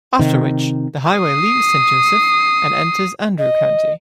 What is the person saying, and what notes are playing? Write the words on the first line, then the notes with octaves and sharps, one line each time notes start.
After which, the highway leaves Saint Joseph and enters Andrew County.
C3 D#3
D#6 C7
D#5